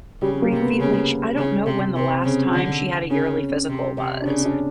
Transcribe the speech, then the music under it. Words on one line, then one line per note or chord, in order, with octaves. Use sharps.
refu like sh I don't know when the last time she had a yearly physical was.
C#3 G3
A#3
C3
B3
C#3
C#3
C3
C3 C4
C#3
D3
C#3 C#4
C3
C3
D4
C#3 C#4
C#4
D4